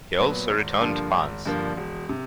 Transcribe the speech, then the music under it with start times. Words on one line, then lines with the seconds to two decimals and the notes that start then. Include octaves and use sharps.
He also returned punts.
0.19 A#2 F#3 B3
0.51 G#1
0.81 G2 D3 F3 A#3
1.14 G#1
1.46 G2 D3 F3 A#3
1.77 E1
2.09 C3